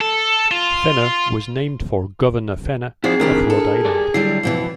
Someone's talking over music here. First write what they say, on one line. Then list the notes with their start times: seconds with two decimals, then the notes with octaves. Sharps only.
Fenner was named for Governor Fenner, of Rhode Island.
0.01 A4
0.51 F4
3.04 F3 C4 D#4 E4 F#4 G#4 D5 C7
3.20 C3 D#3 D4 E4 G4 A#4
3.50 A4
3.85 G4 D5 G#5
4.14 D3 F#3 G3 E4 C7
4.43 F2 B2 E3